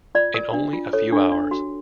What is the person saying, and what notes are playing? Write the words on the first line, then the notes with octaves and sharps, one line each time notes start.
In only a few hours.
F4 D5
A#4
D4
F4
A4 C#5
D4
D4
F#4